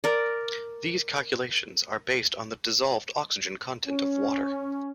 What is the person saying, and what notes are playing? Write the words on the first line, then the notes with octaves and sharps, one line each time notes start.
These calculations are based on the dissolved oxygen content of water.
A#4 D5
C#4